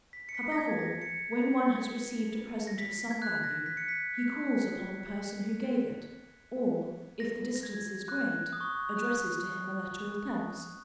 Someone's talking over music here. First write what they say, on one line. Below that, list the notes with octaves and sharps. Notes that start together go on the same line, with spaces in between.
Above all, when one has received a present of some value, he calls upon the person who gave it, or, if the distance is great, addresses to him a letter of thanks.
B6
C#7
B6
A#6
G#6
A#6
C#7
A#6
B6
G#6
F#6
A#6
B6
C#7
B6
A#6
A#6
G#6
F#6
D#6
C#6
D#6
F#6